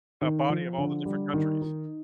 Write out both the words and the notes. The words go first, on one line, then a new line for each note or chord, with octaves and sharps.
a body of all the different countries.
D#3
F3
D3
G3
D#3
D#4